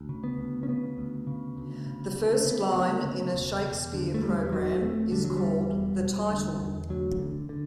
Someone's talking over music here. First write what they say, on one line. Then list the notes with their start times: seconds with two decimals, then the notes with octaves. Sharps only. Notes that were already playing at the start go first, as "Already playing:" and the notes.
The first line in a Shakespeare program is called the 'title'.
Already playing: D2
0.09 C#3
0.24 B3
0.38 D2
0.63 C#4
0.68 C#3 B3
0.98 D2
1.27 C#3
1.57 D2
1.86 C#3
2.16 D2
2.41 C#4
2.45 C#3 B3
2.75 D2
3.05 C#3
3.34 E1
3.64 E1
3.94 D3
4.14 A3
4.23 E2 G3
4.45 G3
4.53 E1 F#3
4.82 E1 A3
5.11 D3 G3
5.24 F#3
5.37 E2 G3
5.71 E1
6.01 E1
6.31 D3
6.60 E2
6.89 D2 F#3
7.19 D3
7.49 D3